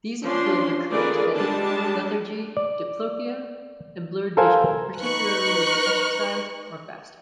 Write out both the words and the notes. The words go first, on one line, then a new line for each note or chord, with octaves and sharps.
These include recurrent headache, lethargy, diplopia, and blurred vision, particularly with exercise or fasting.
F3 C#4 D4 C6
D#3 F4 G#4 A4 B4 D5
G3 G#3 D4 A5
D5
A4 A#4 C5 F5 G#5
D#4 B4 C#6 F#6